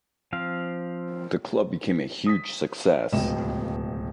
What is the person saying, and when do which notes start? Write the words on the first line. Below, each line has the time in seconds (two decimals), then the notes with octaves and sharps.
The club became a huge success.
0.33 F3 C4 F5
2.26 D#6 B6
3.13 D1 C#2 B2 D#5 G5 E7